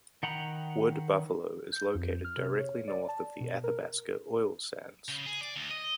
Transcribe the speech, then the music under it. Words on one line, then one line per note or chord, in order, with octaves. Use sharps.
Wood Buffalo is located directly north of the Athabasca Oil Sands.
D#3 F#5 G5 A#5 B5
G6
F2
F6
C3
C#5
D5
A5
B2
A#4
C#3
G#4
D5
D2
D#5